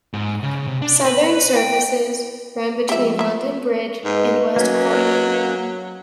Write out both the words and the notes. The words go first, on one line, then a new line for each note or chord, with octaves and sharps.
Southern services run between London Bridge and West Croydon.
G#2
C#3
C3
D4
B4
G5
F3 G#3 G4 E5
A#3 E5
G#2 B4 D#5
F#3 A#3 C#4